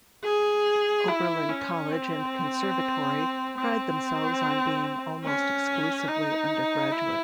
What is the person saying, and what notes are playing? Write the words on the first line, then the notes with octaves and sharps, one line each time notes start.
Oberlin College and Conservatory pride themselves on being almost exclusively undergraduate.
G#4
E4
C#4
C4
C4
C#4
D#4
E4